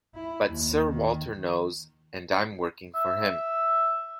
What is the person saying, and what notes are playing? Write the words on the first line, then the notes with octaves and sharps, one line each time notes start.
But Sir Walter knows, and I’m working for him.
E4
D#2
D#3
E5